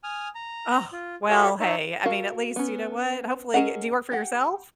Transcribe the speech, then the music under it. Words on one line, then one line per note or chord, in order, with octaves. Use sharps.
Ugh, well, hey, I mean, at least, you know what? Hopefully Uh, do you work for yourself?
G#5 D#6 F6
A#5
F4
F#4 G4 A4 C#5 E5 F5
D#4 C#5 E5 A5
F#4 A4 A#4 F5
B3 C#4
C#4 G#4 A#4 D#5 F#5
G4 F#5